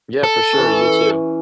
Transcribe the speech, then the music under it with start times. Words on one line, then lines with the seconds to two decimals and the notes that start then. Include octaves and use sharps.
Yeah, for sure, you too.
0.24 A4
0.53 E3 C#4